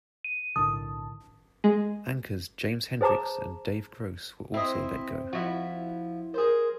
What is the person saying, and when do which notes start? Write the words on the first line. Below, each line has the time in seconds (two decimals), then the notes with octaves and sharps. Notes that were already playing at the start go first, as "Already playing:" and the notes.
Anchors James Hendricks and Dave Gross were also let go.
0.24 D#7
0.56 B1 A2 D3 D#3 D4 A5 D#6
1.64 G#3
3.01 G#4 C5 A5 A#5 D6
4.54 C4 E4 D#5
5.33 F3 E4 F#4
6.34 G#4 A#4 C5